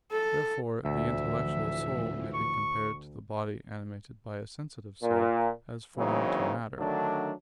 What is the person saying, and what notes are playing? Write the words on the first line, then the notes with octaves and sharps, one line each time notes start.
Therefore the intellectual soul may be compared to the body animated by a sensitive soul, as form to matter.
A4
D2 A2 E3 F3 E5
C#6
A#2
C#3 E3 F#3 A#3 C4 D#4
D3 D#3 F#3 A3 D4